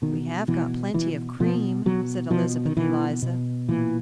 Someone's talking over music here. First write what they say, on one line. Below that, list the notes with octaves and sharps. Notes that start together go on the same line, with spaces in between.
"We have got plenty of cream," said Elizabeth Eliza.
B2 D#3
B2 E3
B2 E3
B2 F3
B2 F#3
B2 F3
D#3
B2 E3
B2
A#2 E3